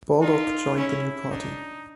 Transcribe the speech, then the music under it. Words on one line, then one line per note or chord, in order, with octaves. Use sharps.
Baldock joined the new party.
D#4 F4
C#4 E4
D4 D#4